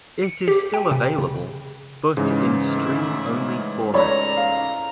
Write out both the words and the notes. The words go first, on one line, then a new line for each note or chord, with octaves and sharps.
It is still available, but in stream-only format.
C#7
G4
G5
C3
C#3
G#2 C#3 E3
A3 E4
A4 C#5 D5 A#5 B5
F5